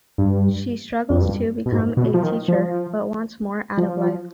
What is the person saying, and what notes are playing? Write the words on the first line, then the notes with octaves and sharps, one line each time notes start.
She struggles to become a teacher, but wants more out of life.
G2
F2
G2
B2
G#2
B2
F3
D#3
F3
F3